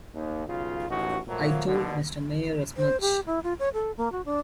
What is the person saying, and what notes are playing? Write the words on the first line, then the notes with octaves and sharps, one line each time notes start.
I told Mr. Mayer as much.
D#2
B1 C#3 F4
A1 D#2 C#4 D#4 F#4
A#2 F3 F#3 A3 A#3
D#2 B2 D3
C5
G4
E4
F4
C#5
A4
A#3
F#4
D4